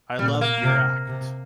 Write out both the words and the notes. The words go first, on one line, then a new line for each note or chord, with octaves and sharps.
I loved your act.
A#2 G3
A#3
C3
C3